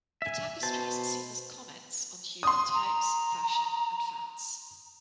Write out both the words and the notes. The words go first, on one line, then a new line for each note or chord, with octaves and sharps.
The tapestries seem as comments on human types, fashion and fads.
E5 G#5
B2 C5 A5
C6 D#6
A#5